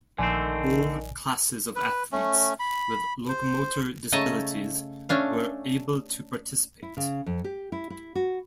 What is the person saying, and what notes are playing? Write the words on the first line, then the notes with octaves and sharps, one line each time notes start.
All classes of athletes with locomotor disabilities were able to participate.
A#1 D3 D#3 A3 C4 D5 G#5
B4
A3 C#4
B5
C5
C#3 A3 C#5 D#5 A5 A#5
A3 C#4 D4 F5
E4
C#3
F2
G4
E4
E4
F#4